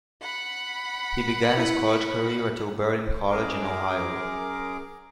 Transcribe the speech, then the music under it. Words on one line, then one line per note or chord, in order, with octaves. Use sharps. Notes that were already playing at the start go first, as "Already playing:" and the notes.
He began his college career at Oberlin College in Ohio.
F#5 B5
E4 A#4 B4
F#2 G#4 A#4 D6